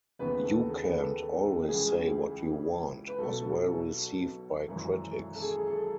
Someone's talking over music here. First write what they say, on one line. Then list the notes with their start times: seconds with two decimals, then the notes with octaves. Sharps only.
"You Kent Always Say What You Want" was well received by critics.
0.19 D#2 C#3 E3 B3 B4
0.44 A4
0.70 G#4
0.84 B4
0.95 A4
1.68 C#2 C#3 E3 G#4
3.07 B4
3.18 B1 B2 A4
4.68 G#1 F#2 E3
5.35 A4
5.42 G#4
5.67 A4